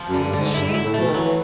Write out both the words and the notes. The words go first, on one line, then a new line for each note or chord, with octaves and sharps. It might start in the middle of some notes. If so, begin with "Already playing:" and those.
It's shameful!
Already playing: F3
F#2
D3
G2
D3
G#2
G2 E4
G#2
E4
A2
A3
B2
D#3
E3 F#3
E3